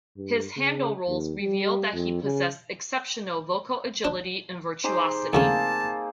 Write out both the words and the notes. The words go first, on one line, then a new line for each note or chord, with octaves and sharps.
His Handel roles reveal that he possessed exceptional vocal agility and virtuosity.
G2
C#3
D#2
G3
F2
C#3
D4
D#4 G4 G#4 C5
F2 C#3 A3 A#3 C4 G#4 A5